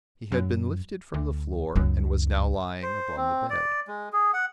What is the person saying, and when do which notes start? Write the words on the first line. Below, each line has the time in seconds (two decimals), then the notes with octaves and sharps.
He had been lifted from the floor, and was now lying upon the bed.
0.32 F#2
1.14 D2
1.76 C#2 F#2 D#4
2.83 C5
3.17 C4
3.50 D5
3.88 G#3
4.13 G#4
4.33 F#5